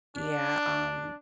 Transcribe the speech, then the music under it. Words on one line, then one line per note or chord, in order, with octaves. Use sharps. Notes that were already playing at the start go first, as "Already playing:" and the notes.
Yeah. Um,
D4